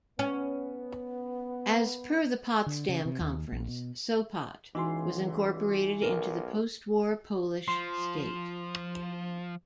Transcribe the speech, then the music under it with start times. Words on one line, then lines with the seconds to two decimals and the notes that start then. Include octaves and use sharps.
As per the Potsdam Conference, Sopot was incorporated into the post-war Polish state.
0.19 B3 C#4
2.66 D3
2.89 C#3
3.05 C3
3.20 D#2
3.52 A#1
3.68 B2
4.75 C#2 E3 D#4 F#4 C6
6.02 B1 A#4
7.68 F3 C6